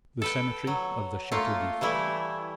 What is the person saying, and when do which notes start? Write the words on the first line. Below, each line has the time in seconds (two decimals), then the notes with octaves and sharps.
The Cemetery of the Chateau D'If.
0.22 A4 B4 G5
0.67 F#3
1.32 A3 A#3 F4
1.81 E3 G3 A3 E4